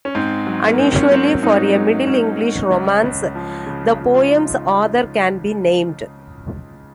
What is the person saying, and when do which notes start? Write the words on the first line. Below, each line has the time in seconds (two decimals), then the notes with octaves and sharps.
Unusually for a Middle English romance, the poem's author can be named.
0.05 C#4
0.15 G#2 C4
0.47 F#3
0.68 A#3
0.79 G#2 C4
0.96 C#4
1.11 F#3 C4
1.27 C4
1.43 G#2 D#4
1.75 F#3
2.07 G#2 C#4
2.38 F#3
2.70 C#2 C#4
3.04 C#2
3.35 F3
3.66 C#3
3.99 C#2 F4
4.14 F4
4.31 D#4